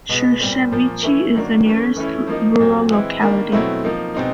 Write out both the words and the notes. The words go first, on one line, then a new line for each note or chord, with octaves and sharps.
Shershevichi is the nearest rural locality.
B2 G#3 B3
A#2 G3 C4
A#2 F3 A#3
E3 A3 C#4 E4
D#3 F#3 A#3 D4
E3 A3 C#4
E3 A3 C#4 E4
F3 A#3 D#4
A#2 F#3 A3 C4
E3 G#3 C4 E4
D#3 G3 A#3 D4
B2 F#3 A3 C4 E4
F3 A#3 D#4
B2 G#3 C4 D#4